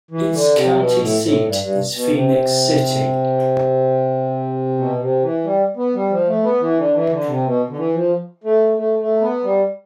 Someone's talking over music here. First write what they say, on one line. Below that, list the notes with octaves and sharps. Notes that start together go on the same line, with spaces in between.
Its county seat is Phenix City.
E3
D3
C3
B2
A2
A2
G2
G2
B2
C3
B2
C3
E3
G3
B3
G3
F3
A3
B3
E3
D3
E3
D3
C3
B2
D3
E3
F3
A3
A3
A3
B3
G3